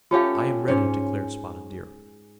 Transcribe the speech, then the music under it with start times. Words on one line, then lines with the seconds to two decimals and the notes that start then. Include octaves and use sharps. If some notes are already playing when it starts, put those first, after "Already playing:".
"I am ready," declared Spotted Deer.
0.11 A3 C#4 F4 G4 F5
0.68 G#2 C#4